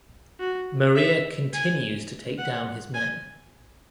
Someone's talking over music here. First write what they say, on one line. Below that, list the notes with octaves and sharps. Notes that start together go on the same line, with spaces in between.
Maria continues to take down his men.
F#4
E5
G#5
F#5
G#5